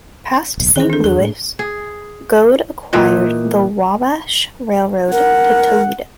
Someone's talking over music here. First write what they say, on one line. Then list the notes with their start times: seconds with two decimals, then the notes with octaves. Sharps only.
Past Saint Louis, Gould acquired the Wabash Railroad to Toledo.
0.57 D1 B1
0.76 D#3 E3 C4 G#4 C5
0.90 D4 A4
1.04 E2 G#4
1.20 A2
1.59 G#4
2.93 A#2 E3 D#5 G5
5.12 A#4 F#5